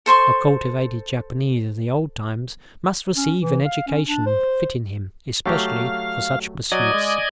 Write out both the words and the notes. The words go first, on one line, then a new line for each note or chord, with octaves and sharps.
A cultivated Japanese of the old times must receive an education fitting him especially for such pursuits.
A4 C5 C6 C#6
C#4
E3
F5
C#4
D4
C5
F#3 A3 G4 F5
F#3 D5 D#5 G#5
G#3